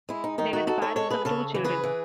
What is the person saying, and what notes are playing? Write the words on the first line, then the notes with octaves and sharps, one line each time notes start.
They were the parents of two children.
G#3 E4
D#4
D#3 D#4
D#4 F#4
D#4 F#4 A4
A4 C#5
G#3 A4 C#5
G#4 B4
C#3 A4 C#5
E3
G#4 B4
E3